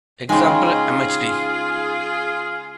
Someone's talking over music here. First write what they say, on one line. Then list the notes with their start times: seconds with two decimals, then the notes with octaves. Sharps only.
Example mhd.
0.29 C#3 G#3 D#4 F4 G#4 G5 C6